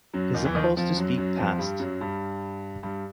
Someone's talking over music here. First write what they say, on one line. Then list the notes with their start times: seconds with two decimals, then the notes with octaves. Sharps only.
His impulse to speak passed.
0.13 F#2 F#3
0.34 D#2 D#3
0.45 E2 E3
0.55 D#2 D#3
0.77 F2 F3
0.97 F#2 F#3
1.18 F#2 F#3
1.38 F2 F3
1.59 G2 G3
1.79 F#2 F#3
2.01 G2 G3
2.83 G2 G3